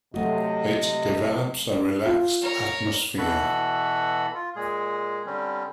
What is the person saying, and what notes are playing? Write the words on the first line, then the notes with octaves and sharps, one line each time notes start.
It develops a relaxed atmosphere.
C3 F#3 A3 F#4 D#5
F4
A#4 C#5
B2 E3 F#4 A4 F#5 B5
F4
A#2 G#3 G#4
D3 G3 C4 C#4